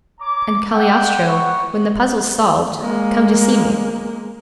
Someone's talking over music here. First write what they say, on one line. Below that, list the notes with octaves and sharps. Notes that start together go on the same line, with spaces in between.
'And, Cagliostro, when the puzzle's solved, come to see me.
C#5 A#5 D6
F#5 G5
B3 F#4 F#5 C#6
G#3 A#3